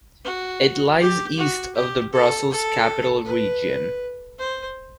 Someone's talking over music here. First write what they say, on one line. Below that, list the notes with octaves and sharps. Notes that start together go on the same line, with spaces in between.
It lies east of the Brussels-Capital Region.
F#4
G4
F#4
G4
A4
A4
B4
C5